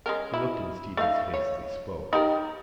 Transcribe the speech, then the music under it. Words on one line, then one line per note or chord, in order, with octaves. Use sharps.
He looked in Stephen's face as he spoke.
G#3 C#4 A#4
E4
A3 D#4 F5
C#5
D#4 G4 A#4